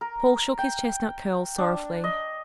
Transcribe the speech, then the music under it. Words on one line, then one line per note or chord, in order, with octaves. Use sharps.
Paul shook his chestnut curls sorrowfully.
A#4
G5
D4
D#5